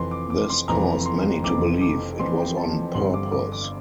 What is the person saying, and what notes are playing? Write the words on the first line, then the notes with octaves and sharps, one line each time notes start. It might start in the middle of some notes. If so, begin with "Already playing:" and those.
This caused many to believe it was on purpose.
Already playing: F1 F2 E3 C6
D6
D6
C6
F1 F2 E3 A#5
C6
F1 F2 E3 D6
D6
F1 F2 E3 C6
G5
A5
G1 G2 D3 G3 C4 C6
D6
D6
D6